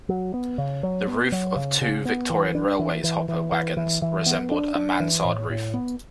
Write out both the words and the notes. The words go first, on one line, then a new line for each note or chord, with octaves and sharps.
The roof of two Victorian Railways hopper wagons resembled a mansard roof.
F#3
B3
C#3
F#3
B3
F#3
C#3
C#3
B3
E3
D4
E3
E3
E3
E3
E3
E3
B3
D4
D4
E3
A2
A2
B3